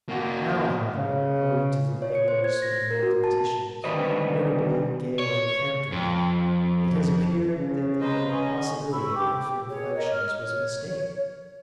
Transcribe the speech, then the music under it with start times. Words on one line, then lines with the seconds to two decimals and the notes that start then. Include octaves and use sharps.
Now, however, owing to the labours of the mathematicians, notably Georg Cantor, it has appeared that the impossibility of infinite collections was a mistake.
0.09 A#3 F#4
0.96 C#3
2.02 C#5
2.15 C#7
2.28 C5
2.44 G#6
2.62 A#6
2.91 A#4
3.03 F#4
3.24 A5
3.84 D3 D#3 G3 B4 C5 D#5
5.19 C#5
5.92 F2
7.56 C#3
8.01 G#3 B4 C5 D#5 A#5
8.31 C#4 G#4 D#5
8.92 B5 C#6 E6
9.14 G4 D6
9.69 G#4 C#5
9.95 A#4 C#5 D#5
10.11 F6
10.41 C#5